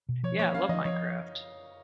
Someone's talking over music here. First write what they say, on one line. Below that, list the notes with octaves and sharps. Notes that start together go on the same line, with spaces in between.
Yeah, I love Minecraft.
B2
F3 C#5
A#3 C#5
C#4 F5
F3 D#5
F3 C#5